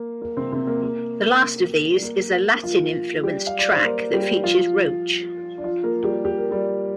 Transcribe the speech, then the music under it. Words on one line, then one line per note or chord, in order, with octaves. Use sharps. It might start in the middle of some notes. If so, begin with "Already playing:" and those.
The last of these is a Latin-influenced track that features Roach.
Already playing: A#3
A#3
C3 C4
C3 C4
A#3
A#3
G3
A#3
F3 F4
G3 G4
F5
D5
C5
A#3 A#4
G3 G4
F3 F4
D4
F3 F4
A#3 A#4
G3 G4
G4
A#4
G3 G4